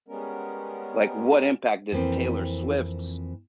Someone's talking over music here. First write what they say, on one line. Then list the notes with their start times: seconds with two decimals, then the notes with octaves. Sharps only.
Like, what impact did Taylor Swift's,
0.08 G3 G#3 B3 C#4 A#4
1.92 F2 E3 A#3 C4